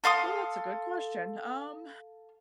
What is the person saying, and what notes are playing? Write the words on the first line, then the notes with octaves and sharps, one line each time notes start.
Well, that's a good question, um
A4 F5 C6 D#6